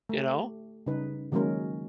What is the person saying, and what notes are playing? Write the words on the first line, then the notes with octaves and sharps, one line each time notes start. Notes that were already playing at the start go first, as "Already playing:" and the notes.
you know?
A3 G4
C#3 G3 D#4 B4
D#3 F#3 G#3 A#3 C#4 A#4